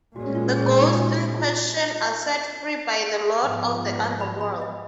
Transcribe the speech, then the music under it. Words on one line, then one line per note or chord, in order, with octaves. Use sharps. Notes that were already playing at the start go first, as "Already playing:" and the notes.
The ghosts in question are set free by the lord of the underworld.
A#2 G#3 C#4 F#4
F4
G#4
D#4
F4
F#4
F4
D#5
G#2 F3 B3
B5
B5
D#5